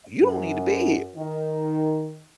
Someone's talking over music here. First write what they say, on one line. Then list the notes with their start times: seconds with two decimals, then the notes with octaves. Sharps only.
you don't need to be here.
0.20 F#2
1.15 D#3